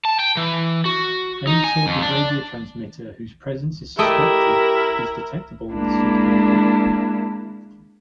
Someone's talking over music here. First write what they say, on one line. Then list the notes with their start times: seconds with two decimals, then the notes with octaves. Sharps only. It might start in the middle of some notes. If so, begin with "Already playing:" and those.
Any sort of radio transmitter whose presence is suspected is detectable with suitable equipment.
0.05 A5
0.19 G5
0.37 E3
0.85 F#4
1.47 D#4
1.64 G#5
1.87 F2
2.02 D4
3.99 A3 E4 G4 A#4 D#5 G5
5.72 G#3 A#3 D4 E4